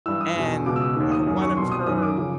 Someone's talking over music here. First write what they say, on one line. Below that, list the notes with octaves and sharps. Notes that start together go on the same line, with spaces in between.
and her one of her
G2 E3 E6
D#6
E2 B2
C#2 B2 D6
E6
D#6
D#2 D#3
D#6
F#2 D#3
C#6
C2 B2 C6
D#6
F#2 D#3 D#6
D6
C#3 F3 D6